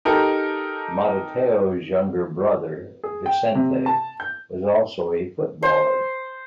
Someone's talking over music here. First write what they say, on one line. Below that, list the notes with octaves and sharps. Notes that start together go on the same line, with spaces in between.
Matateu's younger brother, Vicente, was also a footballer.
D#4 G4 A4 A#4
G#4
G5
C3
A5
G6
C5